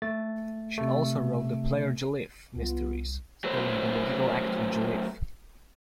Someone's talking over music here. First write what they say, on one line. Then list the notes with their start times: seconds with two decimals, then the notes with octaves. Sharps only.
She also wrote the "Player Joliffe" mysteries, starring the medieval actor Joliffe.
0.02 A3 A6
0.78 C3 A3
2.56 C2 B3 F4
3.44 F#3 A3 B4 C5